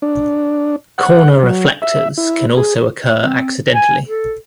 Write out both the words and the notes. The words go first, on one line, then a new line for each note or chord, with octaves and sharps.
Corner reflectors can also occur accidentally.
D4
F#5
F#3
E5
E4
G#4
C4
G#5
A4